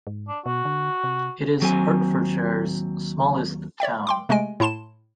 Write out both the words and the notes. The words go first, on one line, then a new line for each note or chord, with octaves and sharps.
It is Hertfordshire's smallest town.
G#2
D4
B2 F#4
D3
C3
D#2 F#3 C4 G#5
C#5 D5 E5 G5
G5 C6 D6
C3 G#3 A3 D#5 G#5 D7
A2 E4 A5 C6 E7